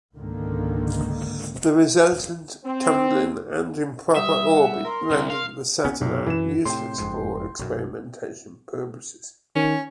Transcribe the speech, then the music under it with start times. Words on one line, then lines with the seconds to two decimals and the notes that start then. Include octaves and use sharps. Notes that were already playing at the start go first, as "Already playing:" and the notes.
The resultant tumbling and the improper orbit rendered the satellite useless for experimentation purposes.
0.15 C#2 G#2 D3 D#3 A#3
2.65 C4
4.16 G3 E5 D#6
4.53 F#5
4.85 A#4 C6
5.11 C2
5.30 F5
5.85 B1 B3 C#4
6.01 B1 F#2 C3
6.27 F#2 E3 E7
6.65 A2 C3 G5 C6
6.98 F#1 F2 G#2
7.59 B1 F#2
9.55 D#3 C#4